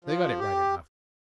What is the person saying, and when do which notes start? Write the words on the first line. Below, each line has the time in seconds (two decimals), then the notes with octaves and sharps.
They got it right enough.
0.05 F3
0.40 G4